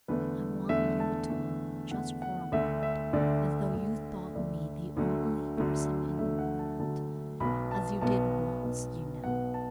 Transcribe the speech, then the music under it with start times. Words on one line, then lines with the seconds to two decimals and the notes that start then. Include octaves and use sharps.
"I want you to look just for a moment as though you thought me the only person in the world--as you did once, you know."
0.08 E2 D3 A3 B4
0.69 E2 D3 A3 E5
1.00 A5
1.30 E2 D3 A3
1.91 E2 D3 A3 F#5
2.22 F#5
2.52 D2 D3 A3 E5
2.83 E5
3.13 D2 D3 A3 D5
3.74 D2 D3 A3
4.35 D2 D3 A3 D5
4.97 D2 D3 F#3 A3
5.57 D2 D3 F#3 A3
6.19 D2 D3 F#3 A3 E5
6.39 F#5
6.59 A5
6.79 D2 D3 F#3 A3 A5
7.40 B1 B2 B3 B5
7.71 A5
8.01 B1 B2 B3 A5
8.63 B1 B2 B3
9.24 B1 B2 B3 F#5
9.54 A5